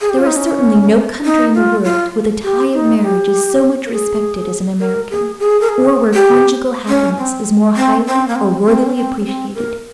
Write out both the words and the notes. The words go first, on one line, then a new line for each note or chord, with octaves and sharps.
There is certainly no country in the world where the tie of marriage is so much respected as in America, or where conjugal happiness is more highly or worthily appreciated.
G#4
G4
F4
D#4
C#4
D#4
F4
F4
G4
D#4
G4
A#4
G#4
A#4
G#4
G#4
A#4
G#4
G4
C#4
C4
C4
C4
A#3
C4
C4
C#4
C4
C#4
C4
A#4